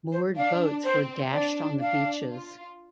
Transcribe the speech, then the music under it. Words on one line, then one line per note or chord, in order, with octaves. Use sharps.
Moored boats were dashed on the beaches.
C5
D4 F5
C4 C5
D4 D5
D4 F5
F4